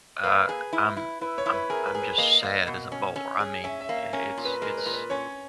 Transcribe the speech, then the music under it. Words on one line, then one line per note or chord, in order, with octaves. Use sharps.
uh, I'm I'm I'm just sad as a bowler, I mean, i it's it's
A#3 B4
G#4
E4
E4
E4 B4
C#5
E4
B4
G#4 A#4
B4
G#4
B4
A#3 D#5
A#3 D#5
B2
C#4
C#4
G#4
C#4 E5
E5
A#3
E5
C#4 A#4
A#2
B4
G#3 A#4
B4
A#2
B4
C#4 C#5